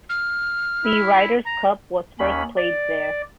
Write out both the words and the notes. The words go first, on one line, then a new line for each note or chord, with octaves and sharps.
The Ryder Cup was first played there.
F6
E4
A#5
D#2 C#4 B5
D5